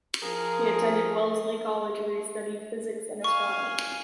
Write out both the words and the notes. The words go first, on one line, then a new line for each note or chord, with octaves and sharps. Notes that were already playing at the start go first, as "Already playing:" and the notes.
He attended Wellesley College, where he studied physics and astronomy.
F3 G#4 A#4
F5 G#5 C#6